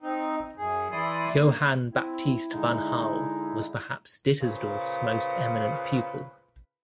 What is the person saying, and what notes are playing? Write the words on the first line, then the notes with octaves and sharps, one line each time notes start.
Johann Baptist Wanhal was perhaps Dittersdorf's most eminent pupil.
C4 D#4
F#2 G#4
E3 E4 D5 C6 D#6
A#3
C4 E4
D3 G#3 D#4
A#2 C#3 B4 C5 F5